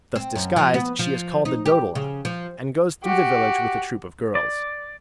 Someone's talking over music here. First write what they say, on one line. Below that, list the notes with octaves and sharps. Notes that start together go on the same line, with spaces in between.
Thus disguised she is called the Dodola, and goes through the village with a troop of girls.
C4
F#2
F3
B3
F3
D#4
G4
C#3
F3
F#4 G4
D5